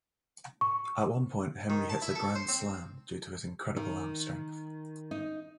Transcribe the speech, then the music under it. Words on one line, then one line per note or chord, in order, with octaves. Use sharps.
At one point, Henry hits a grand slam due to his incredible arm strength.
C#6
D#3
A5
E4
A4
C5
C4
D#3
D#4